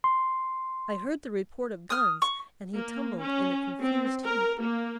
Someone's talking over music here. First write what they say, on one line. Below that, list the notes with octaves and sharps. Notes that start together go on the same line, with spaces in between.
I heard the report of guns, and he tumbled in a confused heap.
C6
D#6 F6
C#6
A#3
C#4
C4
A#4
A#3